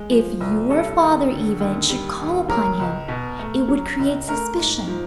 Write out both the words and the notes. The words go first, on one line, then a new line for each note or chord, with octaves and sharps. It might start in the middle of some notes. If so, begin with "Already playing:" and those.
If your father, even, should call upon him it would create suspicion.
Already playing: G#3
F3
C2
G3 A4
D#2
D3
D#2
G3
D#2
F#3 A#4
C#2
B2
A3
F#3
C#2
A3 A#4
G#2
F3